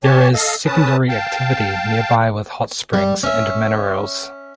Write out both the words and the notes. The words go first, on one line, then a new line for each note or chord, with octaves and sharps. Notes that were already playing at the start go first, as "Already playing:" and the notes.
There is secondary activity nearby with hot springs and minerals.
G4 C#5 G#5 A5
A4 D#5 F5
C#4 B4 A5 D#6
F5 G5 A5
G3
C#4 E5